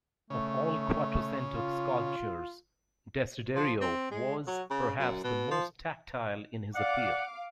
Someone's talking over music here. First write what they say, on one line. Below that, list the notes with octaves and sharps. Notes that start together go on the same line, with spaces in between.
Of all Quattrocento sculptors, Desiderio was, perhaps, the most tactile in his appeal.
C#3 A3
F4
F3
C4
G#3
F#3
C#3
F#2
B2
F3
D5 F5 F#5 D6